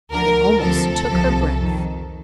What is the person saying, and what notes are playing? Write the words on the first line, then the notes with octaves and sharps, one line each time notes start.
It almost took her breath.
D2 D3 F3 A#4
D2 C3 F3 A4
C2 C3 F3
F2 D#3